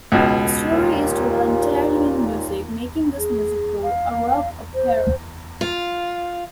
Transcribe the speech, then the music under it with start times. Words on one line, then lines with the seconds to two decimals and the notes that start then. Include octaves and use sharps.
The story is told entirely in music, making this musical a rock opera.
0.12 C#2 B2
0.73 D#2 A#2
3.18 G#4
3.83 F5
4.74 C5
5.61 F4